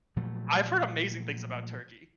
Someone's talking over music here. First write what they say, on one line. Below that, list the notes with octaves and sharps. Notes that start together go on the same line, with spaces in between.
I I've heard amazing things about Turkey.
A#2 F3 F#3 A3